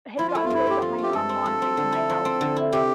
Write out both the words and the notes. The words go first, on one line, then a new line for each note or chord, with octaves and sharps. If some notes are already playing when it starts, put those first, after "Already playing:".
had gotten really behind on laundry in my house
F3 E4
F4
A3 E4
F4
G2 E4
C4 G4
F3 F4
A3 G4
G2 A4
C4
F3
C4
D3
E4
F3
C4
D3
E4
C3 G4